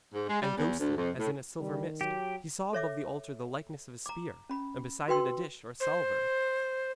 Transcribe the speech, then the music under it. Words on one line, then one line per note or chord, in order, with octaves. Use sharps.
And ghostily, as in a silver mist, he saw above the altar the likeness of a spear, and beside it a dish or salver.
G#2
G#3
G3
E2
D2
F2
A2
D#3 G3
F#3 G4
A4 C#5 E5 D6
A#5 D6
C#4 B5
F#4 B4 G5 C6 E6
C5